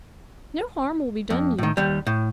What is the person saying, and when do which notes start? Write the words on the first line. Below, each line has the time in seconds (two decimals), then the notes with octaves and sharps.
"No harm will be done you."
1.30 F2
1.58 A2 D#3
1.77 D#2 G3
2.07 A2